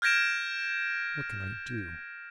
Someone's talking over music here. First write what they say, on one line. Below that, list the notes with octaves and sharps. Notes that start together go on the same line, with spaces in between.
'What can I do?
F6 G6 G#6 A#6 D7 E7